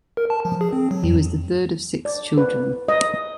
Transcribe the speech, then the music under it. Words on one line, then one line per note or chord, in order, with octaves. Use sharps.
He was the third of six children.
A#4
A5
F3
G#4
C4
F#3
F2
D5
B4
D#5